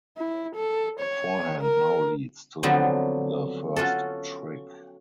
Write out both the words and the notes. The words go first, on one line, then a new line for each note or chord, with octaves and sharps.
Forehand now leads to the first trick.
E4
A4
C#5
A#4
D3 F3 F#3 B3 C4
C#4 F4 F#4 A4